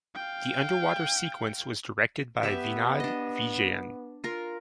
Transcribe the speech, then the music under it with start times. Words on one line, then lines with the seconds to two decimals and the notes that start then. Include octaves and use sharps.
The underwater sequence was directed by Vinod Vijayan.
0.15 F5 G5
2.43 B3 G4 B4 E5
3.00 D4 D#5
4.24 F4 A#4